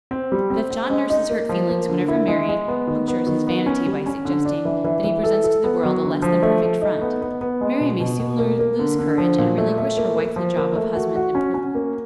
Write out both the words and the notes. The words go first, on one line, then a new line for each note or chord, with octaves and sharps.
But if John nurses hurt feelings whenever Mary punctures his vanity by suggesting that he presents to the world a less than perfect front, Mary may soon lose courage and relinquish her wifely job of husband improvement.
C4
G3
C4
C4
G#3
D#4
A#3
F3
A#3
D3
E4
G#3
G#3
B3
D#3
B3
D#3
B3
C#4
G3
C#4
D3
D4
E3
E3
E3
A4
A4
B3
F#3
D3
F3
A3
A3
D#4
B3
B3
B3
G#3
B2
B2
B2
A#3
A#3
D3
D3
F3
A#2
A3
A3
A#3
A#3
F3
A#3
A3
F#4
F#4
C#4
C#4
A#3